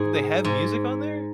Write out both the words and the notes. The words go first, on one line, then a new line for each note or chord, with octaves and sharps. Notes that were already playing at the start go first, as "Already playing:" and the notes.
Did they have music on there?
Already playing: G#2 G#4
G#2